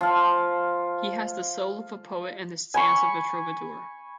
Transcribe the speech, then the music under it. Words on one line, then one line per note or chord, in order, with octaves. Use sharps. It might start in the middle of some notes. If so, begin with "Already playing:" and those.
He has the soul of a poet and the stance of a troubadour.
F3 F5
G#5 B5 C#6